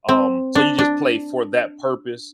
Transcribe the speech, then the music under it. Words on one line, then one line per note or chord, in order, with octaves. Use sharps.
um, so you just play for that purpose,
C4
D4
D4